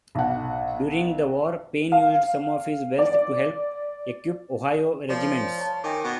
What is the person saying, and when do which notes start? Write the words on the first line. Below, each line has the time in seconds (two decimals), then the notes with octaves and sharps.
During the war, Payne used some of his wealth to help equip Ohio regiments.
0.15 B1 F#5
1.92 F5
2.98 D5
5.09 F3 A#4 C#5 D5
5.58 C#5 A5
5.84 D#3 G5 G#5 D6
6.04 B2 F#5